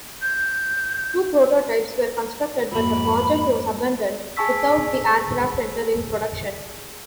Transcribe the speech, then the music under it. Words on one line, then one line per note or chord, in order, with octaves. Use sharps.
Two prototypes were constructed, but the project was abandoned without the aircraft entering production.
G6
F2 G#2 F#3 A#3 B5
G#4 G#5 A5 C#6 E6 B6